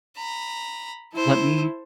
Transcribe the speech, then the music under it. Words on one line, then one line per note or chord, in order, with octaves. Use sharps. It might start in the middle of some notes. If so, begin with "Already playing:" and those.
Let me"
A#5 B5
E4 A4 C5